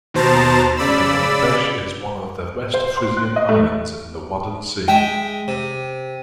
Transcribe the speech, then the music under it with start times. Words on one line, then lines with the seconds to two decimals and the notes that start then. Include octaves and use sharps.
Zuiderduintjes is one of the West Frisian Islands in the Wadden Sea.
0.14 D#2 B2 C5 A5 A#5 A6
0.77 C#3 D5 B5 E6
2.74 C5
2.97 C6
3.17 F#6
3.36 D#5
3.49 A3
4.88 G#3 E5 G5
5.48 C3